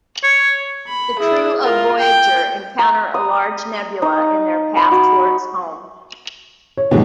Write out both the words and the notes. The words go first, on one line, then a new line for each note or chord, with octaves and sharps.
The crew of "Voyager" encounter a large nebula in their path towards home.
C#5
B5
E4 G#4
F4 A#4
G5
A#5
D#6
D#4
B5
F#4
C#5
D#2 G#2 B2 F3 G#3 G#4